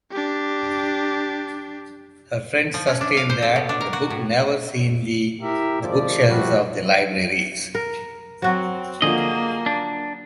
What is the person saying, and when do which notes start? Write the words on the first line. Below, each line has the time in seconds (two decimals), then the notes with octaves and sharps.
Her friends sustain that the book never seen the bookshelves of the libraries.
0.11 D4 G4
2.74 F3
2.87 C#4
3.01 D4
3.17 F5
3.30 C5
3.42 A4
3.56 B2
3.69 D4
3.81 A#4
3.93 F#4
4.10 A2
5.42 E4 G4 A#4 E5
5.80 G#1 F3 D5
6.27 F3 G3 A3 F#4
7.75 A#4
8.42 F#3 C4 F#4
9.02 D3 F3 A#3 F4 G#4 D#5
9.66 D4